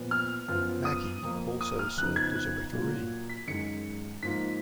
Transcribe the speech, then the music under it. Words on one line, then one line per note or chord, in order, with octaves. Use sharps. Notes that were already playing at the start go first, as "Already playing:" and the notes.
Mackey also served as a referee.
Already playing: A#2 F3 B3
F6
F#2 F3 B3 F4
D#6
F2 F3 A#3
D#6
F6
F2 C#3 F3 B3 D#4 F#6
G#6
F#6
A#2 F#3 A#3 F4
B6
F#2 D#3 G#3 C#7
G#2 F3 A#3 F4 B6